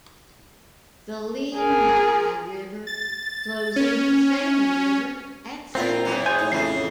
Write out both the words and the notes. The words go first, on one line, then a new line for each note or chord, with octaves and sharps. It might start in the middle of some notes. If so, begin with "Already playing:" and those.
The Lemhi River flows into the Salmon River at Salmon.
G#4 A#4
A6
C#4
A#2 C4 E4 F4 A#4
F#2 B2 E3
G#4 C5 G#5 G6
A2 D#4
F2 C#3 E3 A3 C7